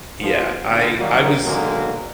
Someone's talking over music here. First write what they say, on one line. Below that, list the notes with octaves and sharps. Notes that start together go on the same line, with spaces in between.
Yeah, I I was
A1 B2 F3
G#2 B2 D3
A#2 D#3 F#3 G3 A#3
B2 D3 D#3 F#3 G#3 A#3